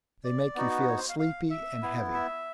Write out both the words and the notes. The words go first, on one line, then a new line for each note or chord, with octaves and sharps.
They make you feel sleepy and heavy.
D5
B3 D#4 F#4
C#5
C5
F5
F5
E5
B3 E4
E5